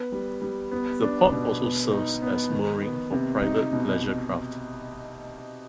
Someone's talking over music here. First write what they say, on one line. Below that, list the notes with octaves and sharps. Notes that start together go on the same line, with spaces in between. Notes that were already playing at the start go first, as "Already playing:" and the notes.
The port also serves as mooring for private pleasure craft.
Already playing: B3 B4
G3
G3
B3
D4
B2
B3
D#4
B3
D#3
B3
C3
D#4
B2